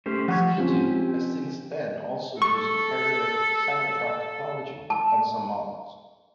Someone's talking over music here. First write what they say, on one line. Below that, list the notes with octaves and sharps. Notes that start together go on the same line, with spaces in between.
Ski-Doo has since then also used comparative "silent track technology" on some models.
A3 C#4 G4 C5
F3 G3 G4 F#5 C#6 G#6
F3 C4 C#4 G4
A4 C#6
A5